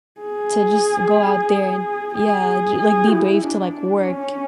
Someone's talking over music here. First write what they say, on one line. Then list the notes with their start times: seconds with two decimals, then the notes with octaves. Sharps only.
to just go out there and yeah, ju like, be brave to like work.
0.21 G#4
2.15 G#4
2.79 G#4
3.11 E4
3.43 D4
4.08 C#4